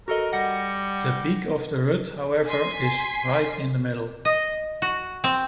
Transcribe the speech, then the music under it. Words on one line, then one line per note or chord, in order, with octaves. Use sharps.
The peak of the rut, however, is right in the middle.
F#4 A4 A#4 D#5
G3 F#5 A#6 C#7
G#5 C6 B6 C7
D#5
F#4
C4